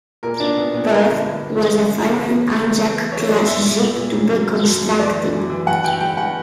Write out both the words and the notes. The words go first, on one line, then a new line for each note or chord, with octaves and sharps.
"Perth" was the final "Anzac"-class ship to be constructed.
A#2 A#4
A#2 D4
A#2 B3
A#2 B3
G2 A#4
D3
G2
G2
E2
C#3
C#3
E2
E2
C#3
E3
E2
E3 B4
E3 C#5
F#2 D5
F#2 E5
A#2
A#2
A#2
A#2
F#2
F#2
F#2
F#2
E3 D5
E3
F#2
E3
G2 F#5
E3 G5
G2 G5
G2 F#5